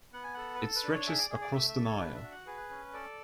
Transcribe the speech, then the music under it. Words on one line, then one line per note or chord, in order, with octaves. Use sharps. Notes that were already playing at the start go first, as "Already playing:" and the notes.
It stretches across the Nile.
B3 F#5
G#5
A4 F#5
B4
A4
B4
D4
C#5
G#4 E5
D5
G#4
D5
A3 E5
E5
A4
C#5
D4 B4
E5
F#4
F#5
G#4 B4
C#4
A4 D5